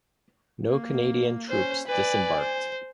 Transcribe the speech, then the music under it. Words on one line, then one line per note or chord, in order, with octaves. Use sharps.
No Canadian troops disembarked.
A#3
C#4 C5
B4 D5 G#5
C5